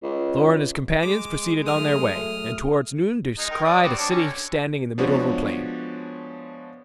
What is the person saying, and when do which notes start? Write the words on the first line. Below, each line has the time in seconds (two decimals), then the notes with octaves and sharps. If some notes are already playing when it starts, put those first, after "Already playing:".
Thor and his companions proceeded on their way, and towards noon descried a city standing in the middle of a plain.
0.03 C#2
1.03 G#3 D6
1.66 F#3 A3 D#6 F6
3.38 G#3 D#4
3.51 D#4 A#4 G5
3.64 D5 D#6
3.82 G3 C4 F#4
3.98 D4 C#5 D5
4.10 D3 C#4 A#5
4.98 F3 G#3 B3 D4 F#4 C#5